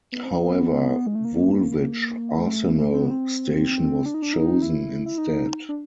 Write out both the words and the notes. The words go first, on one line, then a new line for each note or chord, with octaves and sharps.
However, Woolwich Arsenal station was chosen instead.
B3
C4
B3
G#3
A3
A#3
A3
C4
B3
C4
D4
D#4
D4
D#4
E4
E4
D#4
D4